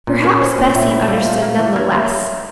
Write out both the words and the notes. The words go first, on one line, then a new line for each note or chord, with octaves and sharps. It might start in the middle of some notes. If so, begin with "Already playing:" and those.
Perhaps Bessy understood none the less.
A#2 C#4
C#4 A#4
C#4 C5
A#2 C#5
A#2 E5
E4
G3 F5
E5
A#2 F5
A#3 F5
E3 E5
A#3 C#5
A#3 E5